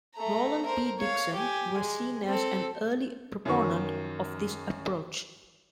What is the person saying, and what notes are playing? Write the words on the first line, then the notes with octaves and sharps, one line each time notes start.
Roland B. Dixon was seen as an early proponent of this approach.
A3 A#5
A#4 C5
C#5 F5
G4 G#5
G#3
C4 A4
F#2 D#3 C#6